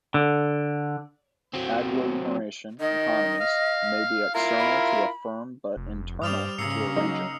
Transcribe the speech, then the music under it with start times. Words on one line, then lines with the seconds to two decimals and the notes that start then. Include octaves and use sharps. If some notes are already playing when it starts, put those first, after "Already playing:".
Agglomeration economies may be external to a firm but internal to a region.
0.14 D3
1.53 F#3 C4
2.80 D#3 D#5
3.41 F5
4.35 E4 F4 A#4 F5
4.59 B5
5.77 F1
6.22 G2 G3 C5 D5 D#6 F6 F7
6.58 G#2 C#3 A#3 E6 C7 C#7
6.96 F#3 D#4